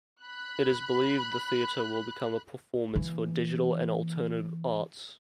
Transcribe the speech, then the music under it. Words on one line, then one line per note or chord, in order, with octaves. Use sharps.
It is believed the theater will become a performance for digital and alternative arts.
B5 F#6
E3 A#3